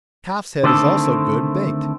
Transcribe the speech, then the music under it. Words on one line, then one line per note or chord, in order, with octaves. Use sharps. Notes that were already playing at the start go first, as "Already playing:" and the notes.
Calf's head is also good, baked.
D3 D#3 A3 C4 A4